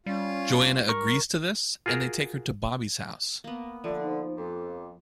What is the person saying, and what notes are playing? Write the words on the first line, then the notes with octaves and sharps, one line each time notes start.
Joanna agrees to this, and they take her to Bobbie's house.
G3 C#4 F4
A#4 C#6
F4 F#4 G#4 A#4
A#3 B3
D3 F3 D5 E5
D#4 C5
F2 D6